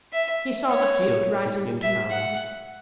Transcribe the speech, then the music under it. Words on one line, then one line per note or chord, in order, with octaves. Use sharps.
He saw the field rising into mounds.
E5
C#5
E5
F#5